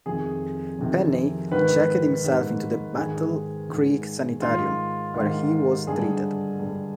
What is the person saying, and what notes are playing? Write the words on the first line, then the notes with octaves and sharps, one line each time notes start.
Penney checked himself into the Battle Creek Sanitarium, where he was treated.
F2 C3 D#3 G#4
F2 C3 D#3
G#2 D#3 B4
G#2 D#3
G#2 D#3 G#4
G#2 D#3
G#2 D#3 F4
G#2 D#3
G2 D3 G#4
G2 D3